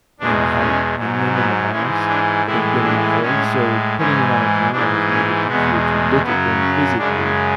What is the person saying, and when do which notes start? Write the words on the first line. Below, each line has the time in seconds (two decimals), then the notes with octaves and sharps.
and I haven't done them in the past, but they've been in my head. So putting them on a journal has made it easier to look at them physically
0.20 E2 B2 G#3 D4
0.58 C#4
0.96 G#2 F#3
1.33 B3
1.71 G#2 E3 G#3 C#4
2.08 D4
2.46 A2 E3 G#3 E4
2.84 D4
3.21 A2 G#3 C#4
3.97 G#2 E3 G#3 C#4
4.72 G#2 E3 G#3 D4
5.10 C#4
5.46 E2 B2 G#3 B3
6.22 F#2 C#3 F#3 B3
6.60 C#4
6.97 F#2 C#3 G#3 D4